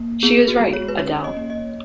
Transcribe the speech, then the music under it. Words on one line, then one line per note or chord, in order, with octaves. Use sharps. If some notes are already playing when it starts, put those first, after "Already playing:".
She is right, Adele.
Already playing: A#3
B3 G#4
F#4
G#3
C#5
B4
C#4 C#5
D#5
A#3
D#5